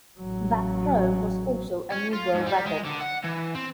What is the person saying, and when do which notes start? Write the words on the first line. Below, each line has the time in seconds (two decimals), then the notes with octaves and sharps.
That throw of was also a new world record.
0.19 A1 F#3
1.92 C#4
2.13 F4
2.34 G#2
2.47 G3
2.67 G#3
2.86 D3
3.02 F#5
3.24 E3
3.55 C4